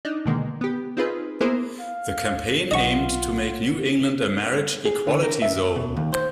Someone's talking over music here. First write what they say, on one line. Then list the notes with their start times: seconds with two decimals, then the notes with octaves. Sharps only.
The campaign aimed to make New England a marriage equality zone.
0.05 D4 D#4
0.26 B2 D3 D#3 G#3 A#3
0.61 B3 G4
0.97 C4 D#4 F4 G#4 B4
1.41 A#3 B3 E4 G#4 A#4 C5
1.80 F5
2.71 B1 F4 D#5 F#5 C#6
4.85 G#4
5.07 D3
5.23 A#4
5.42 E5
5.76 B2
5.97 D#2
6.13 C5